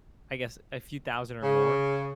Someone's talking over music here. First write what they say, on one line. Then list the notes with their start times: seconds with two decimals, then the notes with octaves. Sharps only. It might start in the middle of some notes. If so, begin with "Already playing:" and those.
I guess, a few thousand or more?
1.42 C#3